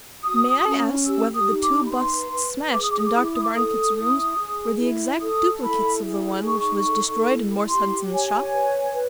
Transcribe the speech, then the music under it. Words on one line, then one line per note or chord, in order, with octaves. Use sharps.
"May I ask whether the two busts smashed in Dr. Barnicot's rooms were the exact duplicates of the one which was destroyed in Morse Hudson's shop?"
F#4 D#6
C#4
G4 E6
D#6
D#4
D6
B5
B4 C6
B4
G#4 D6
D#6
D6
D#6
D6
E4 D#6
D6
D#6
D6
A4 D#6
E4
G#4
E4
A4 D#6
E4 B5
G#4
D#4 C#6
A4
E4
G4 C6
C#5 G#5
B4
B4